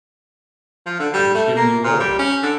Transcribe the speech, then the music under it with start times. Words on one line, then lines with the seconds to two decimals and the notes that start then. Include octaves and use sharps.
She has given you all.
0.86 F3
1.00 D3
1.13 G3
1.34 A3
1.56 A#3
1.84 A#2
2.00 G3
2.19 C#4
2.43 D3